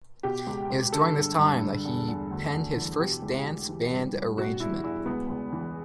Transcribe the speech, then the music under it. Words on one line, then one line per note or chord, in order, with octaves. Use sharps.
It was during this time that he penned his first dance band arrangement.
B2 G4
C#2
C#2
D3 A4
G2
G2
D3
E2
E2
D2
D2
E3
B2 G4
C#2
C#2
E3
G2
G2
B2 F#4
E2 E4
E2 E4
C#2 B3
C#2
E3